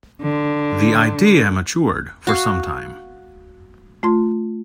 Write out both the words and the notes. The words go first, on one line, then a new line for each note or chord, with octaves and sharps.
The idea matured for some time.
D3
F#4 F5
A3 F4 C6